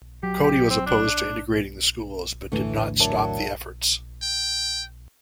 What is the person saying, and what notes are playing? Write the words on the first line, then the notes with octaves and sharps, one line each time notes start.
Cody was opposed to integrating the schools but did not stop the efforts.
F#3 G4
G4
C4
D4
E2 A2 D3 E3 A3
F#3 D4 A#4 E5 A5
G5